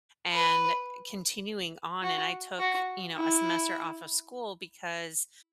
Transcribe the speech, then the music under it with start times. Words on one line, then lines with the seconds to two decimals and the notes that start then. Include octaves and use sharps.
and continuing on, and I took, you know, a semester off of school because
0.33 B4
2.03 F#4
2.59 F#4
3.16 E4